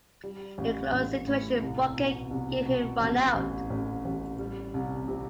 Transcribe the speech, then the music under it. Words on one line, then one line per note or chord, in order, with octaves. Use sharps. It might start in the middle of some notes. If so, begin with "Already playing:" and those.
In a close situation, Crockett gave him run out.
G3
A1
A1
A2
C2
B2
C2
B2
A1
A1
A1
A1
G3
C2
C3